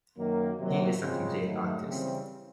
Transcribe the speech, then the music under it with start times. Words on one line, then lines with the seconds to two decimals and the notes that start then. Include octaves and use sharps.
He is a complete artist.
0.17 F#2 D#3 F#3 A#3
0.59 C3 D#3 F#3 A#3
1.01 C#3 F3 G#3 C4
1.43 G#2 D#3 F#3 A3
1.85 C#3 E3 G3 C4